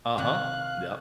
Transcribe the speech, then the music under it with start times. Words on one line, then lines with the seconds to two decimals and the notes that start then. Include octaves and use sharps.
Uh-huh, yep.
0.18 C3 D#3 F5 F#6